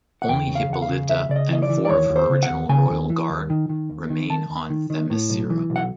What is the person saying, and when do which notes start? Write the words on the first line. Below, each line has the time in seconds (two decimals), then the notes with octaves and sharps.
Only Hippolyta and four of her original Royal Guard remain on Themyscira.
0.22 F#5
0.29 E2 G5
0.49 C#3
0.55 F5
0.69 E2 F#5
0.82 F5
0.89 C#3
1.09 E2 E5
1.29 C#3 D5
1.36 D#5
1.49 E3 D#5
1.63 D5
1.69 E3
1.85 D5
1.89 D#2 C#5
2.10 D#2
2.16 C5
2.30 C#3
2.43 F#5
2.49 D#2
2.69 C#3 G#5
2.90 D#2
3.10 E3
3.30 D#2
3.50 D#3
3.69 D#3
3.90 D#2
4.10 D#3
4.30 D#3 A5
4.50 D#2
4.70 D#3
4.90 D#3
5.10 A2
5.30 B1
5.50 E3
5.70 B1
5.76 F#5